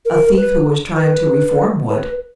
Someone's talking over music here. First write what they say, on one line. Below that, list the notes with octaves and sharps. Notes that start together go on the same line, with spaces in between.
A thief who was trying to reform would.
A#4
B4
B4
B4